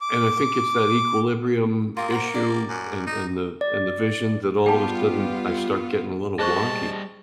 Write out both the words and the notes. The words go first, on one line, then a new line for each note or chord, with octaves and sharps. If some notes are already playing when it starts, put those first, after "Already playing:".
and I think it's that equilibrium issue and and the and the vision that all of a sudden I start getting a little wonky,
D6
A#3 F4 G4 D#6
C5 F#5 A#5
D5
F#2
D#4
D5
G3 B3 F4 G4 G5 A5
G3 G#4 C5 D#5 A5 C#6